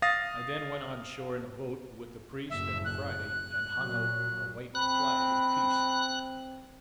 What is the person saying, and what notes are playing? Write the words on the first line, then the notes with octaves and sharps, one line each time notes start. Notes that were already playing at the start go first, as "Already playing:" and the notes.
I then went on shore in a boat, with the priest and Friday, and hung out a white flag of peace.
F5 D#6 A6 A#6
F#1 A2 E5
F#6
A#2 F#3
C4 B5 F#6